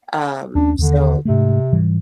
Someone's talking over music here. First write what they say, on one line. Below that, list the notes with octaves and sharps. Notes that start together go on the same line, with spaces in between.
Um, so,
D#2 C#4 D4
D#2 D3
G#2 C3 A3
G#2 E3 G3